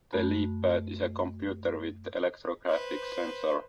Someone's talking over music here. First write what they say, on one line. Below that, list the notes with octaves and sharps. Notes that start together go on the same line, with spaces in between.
The LeapPad is a computer with electrographic sensor.
F#2 A3 F#4 B5
B4 C5